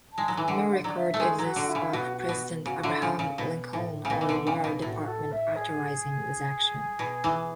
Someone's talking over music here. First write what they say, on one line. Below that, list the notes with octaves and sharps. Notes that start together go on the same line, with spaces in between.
No record exists of President Abraham Lincoln or the War Department authorizing this action.
A5
G#3
F#3 G#5
E3
D3 F#5
D5
F#3
E5
A3
G#3 G#4
F#3
F#4
D3
E4
C#3
B2 F#4
F#4
B2
C#3 F#4
D3 E4
C#3 E4
C#3
B2
A2
C#3
B2
E3
D3
C#3
B2
A2 F#4
A4
E5
G#4
B2
E3